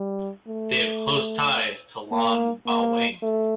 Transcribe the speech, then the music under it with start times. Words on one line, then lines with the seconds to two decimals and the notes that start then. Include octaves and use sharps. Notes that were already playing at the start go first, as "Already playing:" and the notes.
They have close ties to the Lun Bawang.
Already playing: G3
0.48 A3
2.12 A#3
2.67 A#3
3.22 A3